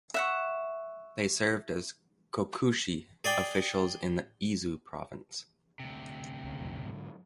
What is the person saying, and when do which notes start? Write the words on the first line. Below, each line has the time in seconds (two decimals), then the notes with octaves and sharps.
They served as "kokushi" officials in the Izu Province.
0.14 E5 F#5 C#6
3.24 G#4 D5 G5
5.80 D2 C3
6.44 C#2 C#3
6.59 B1 F2 A2
6.83 G#2 D3 F#3